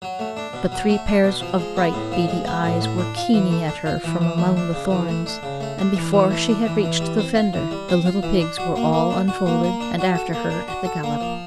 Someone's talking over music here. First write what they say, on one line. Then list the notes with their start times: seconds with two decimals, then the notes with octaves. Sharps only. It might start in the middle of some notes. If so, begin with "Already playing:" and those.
But three pairs of bright beady eyes were keeking at her from among the thorns; and before she had reached the fender, the little pigs were all unfolded and after her at the galop.
0.02 F#3
0.19 A3
0.37 D4
0.53 B2
0.72 F#3
0.89 A3
1.07 D4
1.24 B2
1.41 F3
1.58 G#3
1.77 B3
1.93 A2
2.12 F3
2.28 G#3
2.46 B3
2.64 A2
2.81 A3
2.98 D4
3.16 F4
3.34 E3
3.51 A3
3.68 D4
3.86 F4
4.04 E3
4.21 E3
4.38 A3
4.57 D4
4.73 C#3
4.90 E3
5.09 A3
5.26 D4
5.43 C#3
5.60 A3
5.79 D4
5.96 E3
6.13 E3
6.31 A3
6.49 D4
6.66 E3
6.83 E3
7.00 G3
7.19 C4
7.35 F4
7.54 E3
7.71 G3
7.89 C4
8.06 F4
8.23 E3
8.40 D4
8.58 F#4
8.76 A#3
8.93 A#3
9.10 D4
9.28 F#4
9.46 A#3
9.64 A#3
9.80 D4
9.98 F#4
10.15 A4
10.33 A#3
10.50 D4
10.68 F#4
10.85 A4
11.03 A#3
11.21 F3